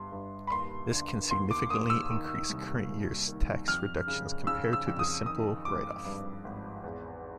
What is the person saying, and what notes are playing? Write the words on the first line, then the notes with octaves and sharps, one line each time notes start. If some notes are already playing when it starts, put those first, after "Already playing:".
This can significantly increase current year's tax reductions compared to the simple write off.
Already playing: G1 G2 C6
G2
B5
D#2 C6
D3
D#2 C6
D6
D#2 D#6
E6
D#3
C2
C2
D#3
F2 F6
C#3
C#3 E6
E6
F2
D#6
D#3 D#6
G#1 D6
G2
G#1
E2